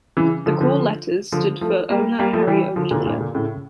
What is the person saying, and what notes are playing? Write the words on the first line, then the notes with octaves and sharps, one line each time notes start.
The call letters stood for owner Harry O'Melia.
C#3 E3
D3 F3
D3 F3
D3 F3
F3 A3
G3 A#3
G3 A#3
F3 A3
E3 G3
D3 F3
A#2 D3
A2
G2 A#2
A#2 D3
A2 C#3